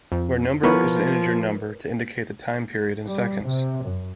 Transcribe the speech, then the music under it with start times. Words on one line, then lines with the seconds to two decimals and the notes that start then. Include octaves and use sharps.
Where number is an integer number to indicate the time period in seconds.
0.12 F2
0.63 F3 B3 E4 A#4 B4 C#5
3.07 G3
3.42 C3
3.84 F#2